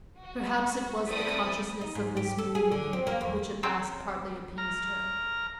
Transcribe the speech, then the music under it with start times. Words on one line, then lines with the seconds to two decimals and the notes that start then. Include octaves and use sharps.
Perhaps it was the consciousness of this mood in him which at last partly appeased her.
0.23 F#4
1.07 C4 E4 A4 D5 B5 D#6
1.81 D#4
1.95 G#2
2.17 G4
2.38 A4
2.55 G#4
2.72 D3
2.93 C4
3.07 A#3
3.21 E2
3.63 F#3 C4 C#4
4.58 A#5 F6